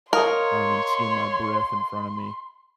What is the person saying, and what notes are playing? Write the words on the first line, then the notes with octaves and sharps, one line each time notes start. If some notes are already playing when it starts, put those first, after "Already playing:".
um, and seeing my breath in front of me.
A#4 C#5 D#5 F5 C6 D#6